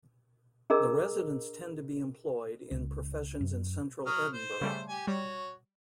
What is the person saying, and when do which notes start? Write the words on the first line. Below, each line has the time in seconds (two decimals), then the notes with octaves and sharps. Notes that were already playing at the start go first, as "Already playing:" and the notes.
The residents tend to be employed in professions in central Edinburgh.
0.70 D4 G#4 A#4 D#5 A#5 E6
2.71 C#2
3.40 F#2
4.06 F#3 D#6 F6
4.33 C5
4.61 C#3 G3 A3
4.89 G4 G#5
5.07 G3 F#4 C#5